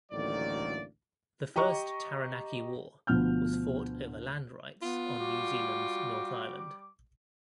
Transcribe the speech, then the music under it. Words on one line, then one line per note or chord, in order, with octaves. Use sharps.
The First Taranaki War was fought over land rights on New Zealand's North Island.
A1 D2 D#3 F#3 A#3 D5
G4 D#5 A#5 C#6
D2 B2 F3 B3 F6 G6
B3 F4
G3 F#4 D6